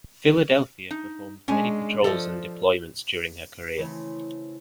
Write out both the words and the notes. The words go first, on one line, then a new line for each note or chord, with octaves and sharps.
"Philadelphia" performed many patrols and deployments during her career.
D#4
G#3 C#4 D4 G#5
F3 A4 D5 D#5
C#3 E3 A3 C4 E4